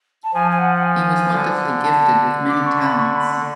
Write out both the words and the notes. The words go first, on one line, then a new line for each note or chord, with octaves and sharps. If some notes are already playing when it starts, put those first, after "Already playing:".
He was wonderfully gifted with many talents.
A5
F3 G#5
G#5
F#5
F#5
G#5
D3
A5
D6
C#6
B5
C#6
B5
D5